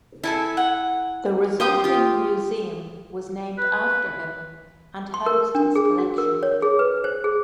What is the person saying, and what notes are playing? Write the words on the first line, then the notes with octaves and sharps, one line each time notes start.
The resulting museum was named after him and housed his collection.
E4 A4 G#5 A5
F#5
G4 C6 D#6 G6
F4 G4
B4
C6
A#4
D4
G#4
F#4
A#4
C#5
G#4
B4
C5
G#4